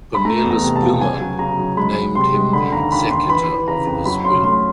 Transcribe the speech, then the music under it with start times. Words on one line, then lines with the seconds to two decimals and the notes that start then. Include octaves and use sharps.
Cornelis Bloemaert named him the executor of his will.
0.15 B5
0.25 A3 A#5
0.44 E2
0.51 A#5
0.63 C3
0.76 A5
0.82 F3
1.01 C#3 G#5
1.20 F#3
1.39 C#3 A#5
1.59 F#3
1.77 G#3 B5
1.97 G#3
2.15 C3 C6
2.34 G#3
2.53 D3 B5
2.72 D#2 A#5
2.92 D#2 B5
3.10 D#2 C6
3.29 E3 B5
3.49 E3
3.68 C#3 A#5
3.87 F2
4.05 F#3 B5
4.24 C#4 C6
4.44 A3 C6